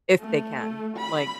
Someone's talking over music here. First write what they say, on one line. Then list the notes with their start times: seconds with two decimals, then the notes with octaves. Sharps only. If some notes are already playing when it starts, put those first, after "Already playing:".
if they can, like,
0.20 A3
0.97 B5